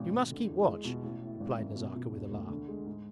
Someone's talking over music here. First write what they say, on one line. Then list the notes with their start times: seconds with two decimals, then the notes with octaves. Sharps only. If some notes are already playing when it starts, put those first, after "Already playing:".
You must keep watch,' replied Nazarka with a laugh.
Already playing: G#1 B2
0.12 G#1
0.30 D3
0.48 E2
0.67 G#3
0.84 B2
1.03 A1
1.22 A2
1.40 G#1
1.58 F#2
1.76 B2
1.95 B2
2.13 E1
2.32 D2
2.49 D3
2.68 G#3
2.86 G#2